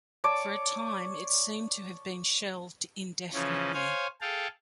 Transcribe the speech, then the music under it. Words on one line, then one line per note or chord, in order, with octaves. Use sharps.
For a time, it seemed to have been shelved indefinitely.
C#5 D5 A5 D6
C#3 E3 F3 C#4
C5 C#5 F5 G#5
G#4 A4 F5 G5 A5